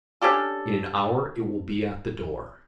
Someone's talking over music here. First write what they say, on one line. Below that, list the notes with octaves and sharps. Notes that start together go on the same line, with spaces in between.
"In an hour it will be at the door."
C#4 D4 G4 A4